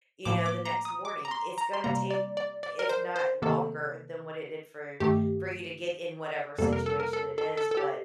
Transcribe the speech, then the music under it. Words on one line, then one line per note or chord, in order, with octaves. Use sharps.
you know, the next morning, it's gonna take, if not longer than what it did for for you to get in whatever situation it is, but,
A2 F3 A#3 D6
D6
A#5
D#6
D6
A#5
C6
A#5
C6
C3 G3 A#3 A#5
D5
D5
D5
A#4
C5
C5
C3 D#3 A#3 A4
G2 D#3 A3 G4
F2 C3 G3 A#3 A4
A#4
A4
A#4
A4
A4
A4
A4
G4